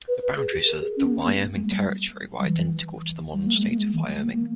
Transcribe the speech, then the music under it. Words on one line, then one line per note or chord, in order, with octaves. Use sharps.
The boundaries of the Wyoming Territory were identical to the modern State of Wyoming.
B4
B4
G#4
G4
A#4
G#4
C#4
B3
A#3
A#3
A#3
G#3
G3
G3
E3
G3
A#3
G#3
A#3
G#3
E3
G#3
A#3
A#3